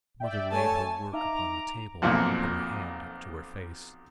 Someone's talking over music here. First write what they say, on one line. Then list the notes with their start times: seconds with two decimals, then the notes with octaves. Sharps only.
The mother laid her work upon the table, and put her hand up to her face.
0.20 D5 E5 G5
0.51 A3 C#5 G#5 A5
1.13 D#4 E5 F5 A#5 D6
2.02 B1 F2 A#2